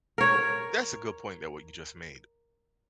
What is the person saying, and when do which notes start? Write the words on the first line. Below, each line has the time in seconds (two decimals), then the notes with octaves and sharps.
That's a good point that what you just made,
0.18 A#4 C#5